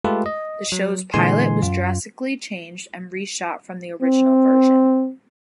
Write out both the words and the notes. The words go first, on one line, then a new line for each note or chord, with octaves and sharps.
The show's pilot was drastically changed and reshot from the original version.
G#3 A3 F4 G4 A4 B4
D#5
F#3
A#2 D3 E3 G#3 G#5 C6
F#2 F4
C4